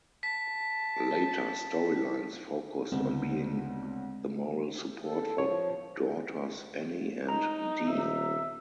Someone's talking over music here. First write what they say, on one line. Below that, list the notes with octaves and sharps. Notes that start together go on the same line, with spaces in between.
Later storylines focused on being the moral support for daughters Annie and Dee.
A5 B6
D2 C#3 G#3 B3 C4
A4
F3 C#5
D#4 A#5
D#1 E5